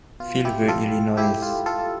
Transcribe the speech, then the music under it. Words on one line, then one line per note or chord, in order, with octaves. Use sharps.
Feel the Illinoise!
B2 F4
E4 G4
F4 A4
E4 G4
F4
F4 A4